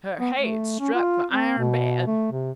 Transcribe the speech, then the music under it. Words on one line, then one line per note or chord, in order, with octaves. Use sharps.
Her head struck the iron bed.
B3
A3
C#4
F4
C4
B2
A3
C3